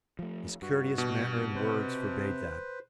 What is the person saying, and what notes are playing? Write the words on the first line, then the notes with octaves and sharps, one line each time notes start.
His courteous manner and words forbade that.
F3 A3
G2 F#4
B2
C3 B4 C5